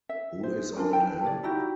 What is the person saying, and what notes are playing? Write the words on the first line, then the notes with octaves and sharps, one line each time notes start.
Who is Aunt Em?
E5
G#4 C5
D4 F4 A#4 G#5
E4 G5 A5
G4 C#5 D5
D#4 E4 F#4 G4